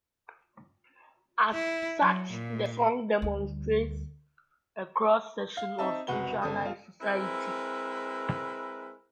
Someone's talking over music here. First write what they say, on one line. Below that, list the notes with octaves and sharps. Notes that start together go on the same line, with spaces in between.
As such, the song demonstrates a cross section of Israeli society.
E4
F#3
A#2
D2 G3
F5
C4 D#4 E5 A5
F#1 C2 F#4 B4 G7
G1 C#3 A4 D#6
F4 A4
G#3 C4 E4 A#4 B4